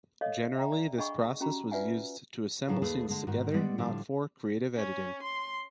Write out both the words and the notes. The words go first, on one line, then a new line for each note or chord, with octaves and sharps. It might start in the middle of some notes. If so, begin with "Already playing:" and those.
Generally this process was used to assemble scenes together, not for creative editing.
A4 C#5 D#5 F5
E5 G5 A#5
D5
D4 G#4 D#5 F#5 B5 C#6
C#4 F#4 G4 A#5 B5
F4 B4 D5 E5 F#5 G#5
A2 F#3 C#4 G#4 B4 F5
D#2 A3 G#4 A4 B4
D3 G#3
G#2 D#3 F#4
G3 G#3 B3 D5 F#5
A2 D3 F3 G3
C#4
C6